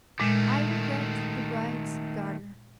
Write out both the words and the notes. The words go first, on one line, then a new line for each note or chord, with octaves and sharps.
I regret the bride's garter.
A#2 D#3 G#3 A3